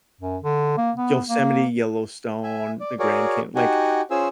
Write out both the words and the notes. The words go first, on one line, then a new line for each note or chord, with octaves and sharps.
Yosemite, Yellowstone, the Grand Can like,
F#2
D3
A#3
B3
A#3
E5 G#5
D5
F#4 G#4 A#4 C#5 D5
D#4 F#4 G4 F#5 G#5
C#4 F4 G#4 C5 G#5 E6